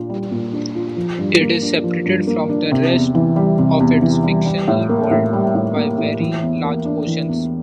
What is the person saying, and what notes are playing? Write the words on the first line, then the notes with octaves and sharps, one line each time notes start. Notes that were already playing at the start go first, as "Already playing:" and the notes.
It is separated from the rest of its fictional world by very large oceans.
Already playing: A#2 D4 F4
G3
A#2
D4
F4
F3
G2
A#3
D4
F3
G2
A#3
D4
C3
E2
E3
G3
C3
E2
E3
G3
G3
A2
A#3
A2
G3
A2
A#3
A2
E3
E2
A#3
D4
E3
E2